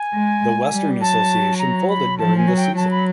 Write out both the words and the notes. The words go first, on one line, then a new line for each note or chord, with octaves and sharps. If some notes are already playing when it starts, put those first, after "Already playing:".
The Western Association folded during the season.
Already playing: G#5
G#3
G3
F#3 A5
A#5
B5
F3 A5
G#5
F#3
G5
F#3 A5
B5